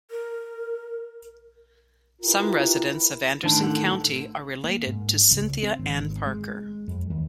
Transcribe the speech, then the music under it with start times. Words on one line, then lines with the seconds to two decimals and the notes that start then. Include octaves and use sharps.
Some residents of Anderson County are related to Cynthia Ann Parker.
0.11 A#4
2.22 E4 F4 G4 A#4 B4
3.43 A2 D#3 E3 D4 A5
3.62 A4 F#5
4.64 A#3
4.87 G#2
5.31 C#2
5.63 C4
5.79 G#1
6.27 G#3
6.88 F2
7.10 D#2